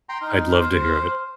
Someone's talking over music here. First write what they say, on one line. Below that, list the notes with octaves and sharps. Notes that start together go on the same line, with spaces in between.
I'd love to hear it.
G5 A#5 C6
D#4 F6
C5